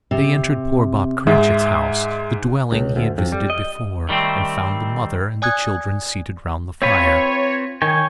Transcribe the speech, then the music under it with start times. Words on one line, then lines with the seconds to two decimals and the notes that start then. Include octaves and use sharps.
They entered poor Bob Cratchit's house; the dwelling he had visited before; and found the mother and the children seated round the fire.
0.11 C3
1.27 G#2 G#3 E5
2.72 C#2
2.96 D2
3.18 F2
3.32 G3
3.50 D#5
4.09 D#3 G3 A3 C4
5.42 D5 G#5 D#6 F#6 G#6
6.82 C4 F4 B4 C#5
7.82 D#3 C#5 G5 G#5